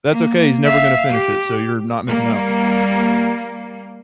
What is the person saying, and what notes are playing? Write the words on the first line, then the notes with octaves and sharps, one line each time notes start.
That's okay, he's never gonna finish it, so you're not missing out.
A#3
E5 F5
G4
G3 A#3